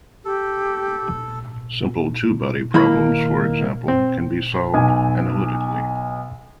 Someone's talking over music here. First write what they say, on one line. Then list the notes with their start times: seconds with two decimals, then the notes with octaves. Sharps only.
Simple two-body problems, for example, can be solved analytically.
0.25 G4 A4
2.74 D#3 A#3 E4 B5
3.88 C4
4.74 B1 G#5